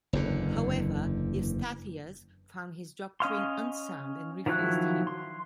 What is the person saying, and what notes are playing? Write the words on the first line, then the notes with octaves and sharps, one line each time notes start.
However, Eustathius found his doctrine unsound and refused him.
F#1 E2 D3
C#4 D#5 F5 C6
D#3 F3 F#3 E4 F#6
C6